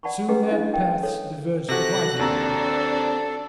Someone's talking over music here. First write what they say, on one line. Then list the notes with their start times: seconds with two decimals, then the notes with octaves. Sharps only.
Soon their paths diverged widely.
0.03 D5 F#5 A5 B5 C#6
0.28 C#4 G4 G#4 B4 D#5 A#5
0.49 D4 E4 D#5 F5 B5
0.74 A#4 D5 D#5 F5 G5
1.03 A4 C#5 F5
1.69 C3 F#4 A4 F#6 A#6
2.19 D#2 C4 D4 F#4 A4 A#5